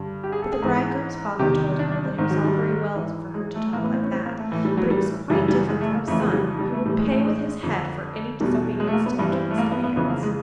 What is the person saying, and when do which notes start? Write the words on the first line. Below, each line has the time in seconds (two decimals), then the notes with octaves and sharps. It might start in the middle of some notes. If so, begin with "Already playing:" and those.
But the bridegroom's father told her that it was all very well for her to talk like that, but it was quite different for his son, who would pay with his head for any disobedience to the king's commands.
Already playing: G2 D3
0.24 G4
0.32 G#4
0.42 A4
0.52 G#4
0.62 G#2 E3
1.39 E2 C3 D#3 G4
1.79 D4
1.92 D4
2.05 C4
2.18 G#2 D#3 C4
2.30 F#3
2.44 G3
2.95 G#2 E3
3.34 G#3
3.55 A3
3.73 A2 E3 A#3
3.84 B3
3.94 C4
4.03 C#4
4.12 C4
4.26 A#3
4.39 A3
4.51 A2 E3
4.65 G3
4.77 F#3
4.90 G3
5.29 F#2 C#3 E3 G3
5.48 G3
5.69 G#3
5.81 A3
5.94 A#3
6.08 F2 C#3 E3 A3
6.20 G#3
6.28 F#3
6.33 G3
6.59 G3
6.73 A3
6.85 A2 E3 G3
6.98 G#3
7.11 A3
7.24 G#3
7.63 F2 D3
8.40 E2 B2 G3
8.80 G#3
8.87 A3
8.93 A#3
9.06 B3
9.18 G2 E3 B3
9.32 C4
9.50 A3
9.58 A#3
9.71 B3
9.83 B3
9.96 F2 C#3 E3 B3
10.10 A#3
10.23 G#3